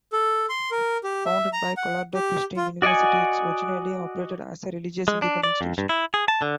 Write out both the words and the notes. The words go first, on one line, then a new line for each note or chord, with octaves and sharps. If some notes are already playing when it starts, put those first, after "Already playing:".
Founded by Colorado Christian University, it originally operated as a religious independent station.
A4
C6
A#4
G4
E5
A#5
F#5
G4
F4
F#4 D5 D#5 F#5 G#5
G#3
D4
D5
F2
G2
E4
G#4
A5
D3